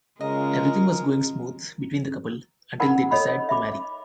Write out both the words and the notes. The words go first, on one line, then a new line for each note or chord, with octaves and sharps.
Everything was going smooth between the couple until they decide to marry.
C#3 G#3 F4 A#4 D#5
D#4 A#4 B4 F#5 A5 B5
A4 C#5 D#5 B5
E5 B5 D6